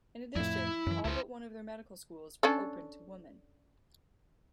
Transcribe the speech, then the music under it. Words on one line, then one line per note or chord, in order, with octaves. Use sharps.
In addition, all but one of their medical schools were open to women.
F2 A2 E4
F#2 E3
C#2 E4 C5
C#4 D4 A4